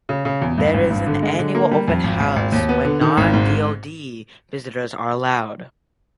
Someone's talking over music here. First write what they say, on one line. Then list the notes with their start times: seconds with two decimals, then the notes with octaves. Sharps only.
There is an annual open house when non-DoD visitors are allowed.
0.09 C#3
0.25 C#3
0.42 E2
0.58 G2
0.74 G#1
0.90 G2
1.06 D3
1.23 G#3
1.39 D3
1.55 A#3
1.71 G3
1.88 F2
2.04 G#1
2.20 G#1
2.36 G#1
2.52 D#2
2.69 B3
2.85 D3
3.01 D#3
3.17 G#1
3.33 G#2